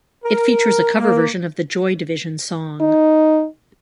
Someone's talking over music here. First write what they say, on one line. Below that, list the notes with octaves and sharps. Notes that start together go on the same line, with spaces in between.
It features a cover version of the Joy Division song.
A#4
A#3
D#4